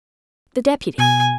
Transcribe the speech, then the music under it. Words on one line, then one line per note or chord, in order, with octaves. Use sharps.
"The deputy."
B2 G#5